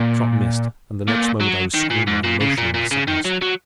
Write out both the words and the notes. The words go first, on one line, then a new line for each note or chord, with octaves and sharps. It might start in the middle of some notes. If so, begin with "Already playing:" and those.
The shot missed, and the next moment I was screaming and motioning the signals.
Already playing: A#2
A#2
F#3
D#3
A#2
G#2
A#2
C#3
A#2
A#2
C#3
D#3
F#3
F#3